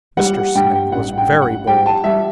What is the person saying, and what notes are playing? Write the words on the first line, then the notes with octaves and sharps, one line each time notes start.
Mr. Snake was very bold.
G3 F#5
G2 G5
A1 F#5
G5
G2
F#5
G3 G5
A5
G3 E5